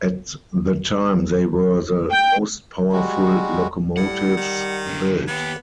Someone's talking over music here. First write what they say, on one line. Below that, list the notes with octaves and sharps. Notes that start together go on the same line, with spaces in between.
At the time they were the most powerful locomotives built.
G5
G3 G#3 F#4
A2 G3 F#5
D#3
F#2 D3
D#2 B3 G4